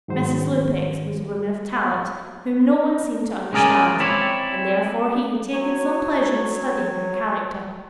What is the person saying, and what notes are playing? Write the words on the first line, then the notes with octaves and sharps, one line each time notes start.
Mrs. Lupex was a woman of talent, whom no one seemed to understand, and, therefore, he had taken some pleasure in studying her character.
G#2 D#3 F#3 C5
G#3 C#4 G#4 A#4 D5 G#5
C4 E4 C#5 D5
F#3 C#5